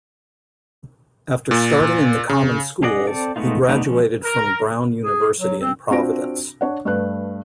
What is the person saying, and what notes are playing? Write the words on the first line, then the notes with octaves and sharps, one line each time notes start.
After starting in the common schools, he graduated from Brown University in Providence.
A#2
C#3
C#4 G#4 D5 D#5 F#5
C4 A4 D5
G#3 A3 B3 D#4 F4
D3 A3 B3 D#4
F3 G#3 C#4
A#4
G#4
F#3
C4
C4 D4 F4 F#4 A#6 D7
D4 C#5 F#5
G2 A3 B4 F#6